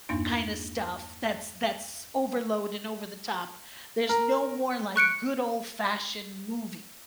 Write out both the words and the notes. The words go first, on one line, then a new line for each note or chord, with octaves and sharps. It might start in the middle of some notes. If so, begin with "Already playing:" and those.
kinda stuff that's that's overload and over the top. There's no more, like, good old-fashioned movie,
E2 G2 A#3 D4 D#4
A#4
C#6 F#6 C#7 D7